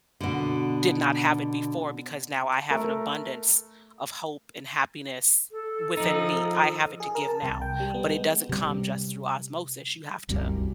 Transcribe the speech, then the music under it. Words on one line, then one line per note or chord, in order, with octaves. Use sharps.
did not have it before because now I have an abundance of hope and happiness within me. I have it to give now," but it doesn't come just through osmosis, you have to
B2 D3
A3 A#4
A4
F3 D#4
G#4
A#4
A5
C2
G5
G3
B3
G#3
C3 G3
D1 C2 F#2 G3